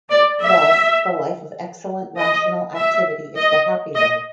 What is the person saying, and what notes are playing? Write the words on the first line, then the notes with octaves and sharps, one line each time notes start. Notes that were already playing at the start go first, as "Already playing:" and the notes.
Thus, the life of excellent rational activity is the happy life.
D5
E5
D#5
E5
D#5
D#5